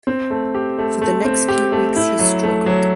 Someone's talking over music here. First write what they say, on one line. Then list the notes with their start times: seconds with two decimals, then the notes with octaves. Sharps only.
For the next few weeks he struggled.
0.07 C4
0.30 A3
0.54 G4
0.78 A3
1.02 A3
1.25 C4
1.48 G4
1.72 A3
1.96 E4
2.19 F#3
2.43 A3
2.66 F#3